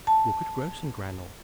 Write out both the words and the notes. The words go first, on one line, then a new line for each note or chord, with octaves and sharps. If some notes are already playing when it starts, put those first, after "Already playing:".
Look at Grossengrannel.
A5